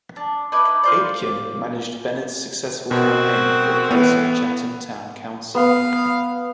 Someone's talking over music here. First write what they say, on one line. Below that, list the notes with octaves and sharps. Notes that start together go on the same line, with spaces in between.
Aitken managed Bennett's successful campaign for a place on Chatham Town Council.
D4
D#4 E4 B4 D6
F4 C5 D5
B2 C4 F#4 A#4
A2 E3 B3
B3 F5